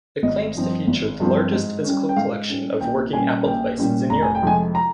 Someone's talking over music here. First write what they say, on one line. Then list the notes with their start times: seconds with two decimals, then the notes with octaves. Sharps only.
It claims to feature "the largest physical collection of working Apple devices in Europe".
0.23 G#1 D#5
0.55 G2 F3 C4
0.87 G#1
1.20 G2 F3 C4
1.52 G#2
1.84 G3 C#4
2.09 G5
2.16 G#2 F5
2.49 G3 C#4
2.81 A#1 G5
3.13 A#2 G3 C#4 G#5
3.45 A#1 G5
3.77 A#2 G3 C#4
4.10 F1 A#5
4.22 G#5
4.35 G5
4.42 F2 C3 F3 G#3 G#5
4.75 A#5